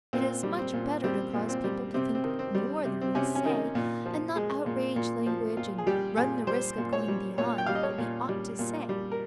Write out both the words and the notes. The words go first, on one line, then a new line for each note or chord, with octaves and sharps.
It is much better to cause people to think more than we say, and not outrage language, and run the risk of going beyond what we ought to say.
A#2 C4
G3
C4
A#2
G3 C4
A#2
C4
G3
C3 C4
C4
D#3
C4
G3
C3
C4
C3 C#4
C#4
D#3 D#4
A#2
F3
G#3
A#2
A#2
F3
A#2 F4
G#4
G3 G4
A#2 G#4
G3 C5
A#2
C#5
G3
A#2 C#5
G5
G3 F5
D#5
C#5
A#2
G3
A#2
G3
A#4